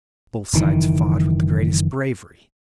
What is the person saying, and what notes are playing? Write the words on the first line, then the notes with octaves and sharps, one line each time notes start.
Both sides fought with the greatest bravery.
F#1 D#3 E3